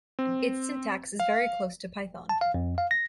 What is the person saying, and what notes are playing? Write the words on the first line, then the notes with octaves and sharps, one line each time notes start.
Its syntax is very close to Python.
C4
F5
A5
F5
F2
F5
A#6